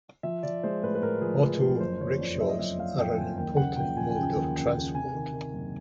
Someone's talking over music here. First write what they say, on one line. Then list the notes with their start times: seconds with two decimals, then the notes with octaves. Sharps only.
Auto-rickshaws are an important mode of transport.
0.23 F3 E5
0.43 F3 D5
0.63 G#3 C5
0.83 A2 B4
0.95 B4
1.02 A2 A#4
1.21 F3 G#4
1.42 F3
1.62 F3
1.80 F#1 C5
2.00 F#1 C#5
2.20 F2 D5
2.39 F#1 E5
2.49 D#5
2.59 F#1 E5
2.78 F#1 F5
2.98 F2 G5
3.18 F#1 G#5
3.37 D#2 G5
3.57 C#3 F#5
3.76 F3 G5
3.96 F3 G#5
4.10 G#5
4.16 C#3 G5
4.36 D#2
4.55 C#3 G5
4.75 C#3
4.94 C3 G#5
5.14 D#3
5.34 D#3
5.54 F#1